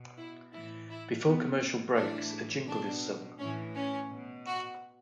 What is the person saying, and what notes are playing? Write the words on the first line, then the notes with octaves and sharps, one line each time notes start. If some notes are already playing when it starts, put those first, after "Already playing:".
Before commercial breaks, a jingle is sung.
Already playing: B2
E4
A2 E3 E4
E4
B2 B3
A2 E3 D4
B2 D4
A2 E3 C#4
C#4
B2
F#4